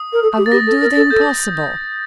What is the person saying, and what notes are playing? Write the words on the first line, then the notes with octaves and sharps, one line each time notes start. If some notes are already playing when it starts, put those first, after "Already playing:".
I will do the impossible.
Already playing: D#6
A#4
A4
G4
A6
G4 A#6
A4
A#4 A6
A4 A6
A4 G6
D#6